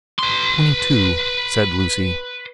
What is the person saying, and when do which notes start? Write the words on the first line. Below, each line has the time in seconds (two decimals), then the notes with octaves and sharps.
'Twenty-two,' said Lucy.
0.19 B4 C6